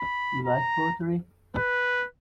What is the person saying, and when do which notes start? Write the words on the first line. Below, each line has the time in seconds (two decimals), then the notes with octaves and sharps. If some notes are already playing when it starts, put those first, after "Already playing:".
You like poetry?
Already playing: B5
0.45 A#5
1.57 B4